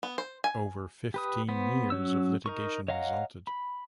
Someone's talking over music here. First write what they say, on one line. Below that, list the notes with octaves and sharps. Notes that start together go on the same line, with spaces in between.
Over fifteen years of litigation resulted.
B3
C5
G#5
G4 B4 D#6
B3 C5
F#3 C#4 E6
D#4 A#4 C#6
C#5 D#5 F5 F#5 A#5
B5